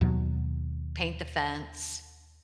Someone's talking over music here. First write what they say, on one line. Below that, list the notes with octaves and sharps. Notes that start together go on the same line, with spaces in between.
paint the fence,
D#2 B2 F#3